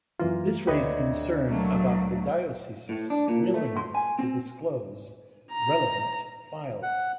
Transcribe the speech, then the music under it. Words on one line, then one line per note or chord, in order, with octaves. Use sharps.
This raised concern about the diocese's willingness to disclose relevant files.
F#2 E3 A#3 F4
D2 G4 B4 C#5 D#5
F#3 A3 A#3
A2
D4
A#2
A3
C6
G#5
C4
A#5
F#5